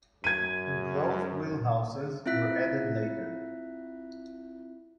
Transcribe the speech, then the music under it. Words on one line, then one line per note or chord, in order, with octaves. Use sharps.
Enclosed wheelhouses were added later.
F#2 G#6 D#7
C4 E4 F4 E5 F#6 B6